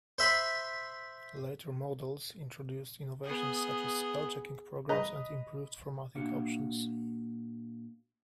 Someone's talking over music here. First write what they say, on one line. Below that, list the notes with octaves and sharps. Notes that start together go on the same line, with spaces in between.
Later models introduced innovations such as spell-checking programs, and improved formatting options.
C5 E5 B5 C6
B3 G#4
B4 D#5 A#5
A#2 A#3 D4 F#4 F5 F#5